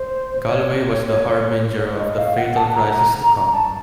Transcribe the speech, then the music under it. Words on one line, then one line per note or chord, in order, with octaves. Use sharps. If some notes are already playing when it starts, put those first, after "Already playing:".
Galway was the harbinger of the fatal crisis to come.
Already playing: C5
C#5
D#5
F5
F#5
A5
A5
A#5
A5